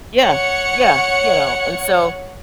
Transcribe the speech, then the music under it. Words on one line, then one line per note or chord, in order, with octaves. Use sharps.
Yeah, yeah, you know? And so,
C#5 F#5 C#7